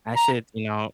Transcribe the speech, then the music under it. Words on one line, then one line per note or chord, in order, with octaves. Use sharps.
I should," you know,
A#5